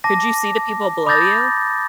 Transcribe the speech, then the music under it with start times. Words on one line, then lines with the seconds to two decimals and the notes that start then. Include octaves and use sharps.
Could you see the people below you?
0.04 A5 D6 A#6
1.07 B5 D6 D#6 G6 A6 A#6